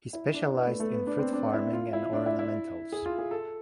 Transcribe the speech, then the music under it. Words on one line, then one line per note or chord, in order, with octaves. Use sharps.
He specialized in fruit farming and ornamentals.
E4
D4
B3
A3
A3
B3
D4
C4
D4
E4
F4
E4
D4
E4
E4
G#4
F4
G#4
A4